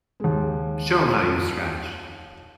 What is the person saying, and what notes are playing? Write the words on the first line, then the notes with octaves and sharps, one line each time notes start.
Show 'em how you scratch.
D#2 G#3